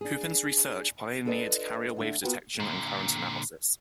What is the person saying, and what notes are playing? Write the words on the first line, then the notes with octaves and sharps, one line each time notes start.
Pupin's research pioneered carrier wave detection and current analysis.
D4 G#4
D4 F4 A4 B4 D5 D#5
D3 A3 D4
B3 F4 F#4 A#4 B4 G5
A#2 D3